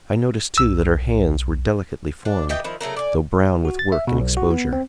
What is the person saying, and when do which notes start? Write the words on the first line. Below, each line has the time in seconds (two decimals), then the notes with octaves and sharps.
I noticed too that her hands were delicately formed, though brown with work and exposure.
0.58 B1 E6
2.25 D4
2.49 E3 G4 D#5 G5
2.64 D#3 F3 E4
2.81 C#3 F#3 A3 A#4
2.96 D5 G#5
3.65 F#4
3.79 A6
3.92 E5
4.07 B2
4.20 B1
4.37 F#4
4.51 B3
4.73 C4